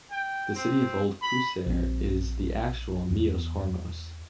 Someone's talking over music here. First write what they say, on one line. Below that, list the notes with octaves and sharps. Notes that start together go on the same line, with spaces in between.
The city of old Qusair is the actual Myos Hormos.
G5
C4
B5
A#1 C4
E2